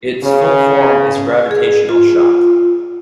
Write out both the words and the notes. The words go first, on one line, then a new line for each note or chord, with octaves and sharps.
Its full form is Gravitational Shock.
C#3
G#4
F4